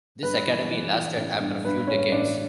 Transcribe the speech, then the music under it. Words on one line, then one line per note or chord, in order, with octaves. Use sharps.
This academy lasted after few decades.
G2 B4
E3
E3
E3
A1
G2
G2 B4
A1 C#4
A1 D4